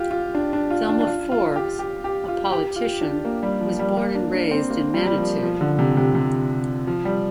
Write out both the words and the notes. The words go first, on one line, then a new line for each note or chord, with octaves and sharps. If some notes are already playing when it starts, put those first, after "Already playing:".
Thelma Forbes, a politician, was born and raised in Manitou.
Already playing: F4 G4
F4
D4
D4
F4
D4
D4
F4
F4
G4
G4
G4
F4
G4
F4
D4
A#3
G3
F3
G3
A#3
D4
D4
C4
A#3
G3
G3
F3
F3
D3
C3
C3
C3
F3
G3